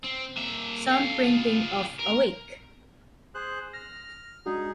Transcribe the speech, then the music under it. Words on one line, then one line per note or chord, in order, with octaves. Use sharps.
Some printing of Awake!
C4
A#3 E5
A4 F5
F4 G#4
A#4
G#4 C5 F#6
F6 A#6
G#3 D4 D#4 F#4 G#4